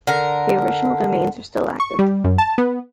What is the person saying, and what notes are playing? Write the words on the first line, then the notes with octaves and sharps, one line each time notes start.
The original domains are still active.
D3 A#4
C#6
G3
F#2
A5
B3